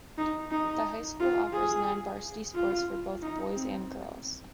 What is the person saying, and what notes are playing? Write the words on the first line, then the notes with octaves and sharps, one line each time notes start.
The high school offers nine varsity sports for both boys and girls.
D#4
D#4
F4
G#4
F4
D#4
C4